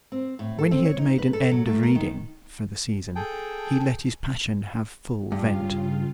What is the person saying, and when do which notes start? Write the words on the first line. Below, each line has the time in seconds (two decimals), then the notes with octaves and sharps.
When he had made an end of reading,--for the season,--he let his passion have full vent.
0.12 C4
0.39 A2
0.59 A4
0.71 C4
0.85 C#5
0.99 D#4
1.18 B4
1.33 A4
1.51 F#3
1.66 A3
1.83 A#4
1.95 D#3
3.16 G#4 A4 G5
5.32 G2 C#3 F4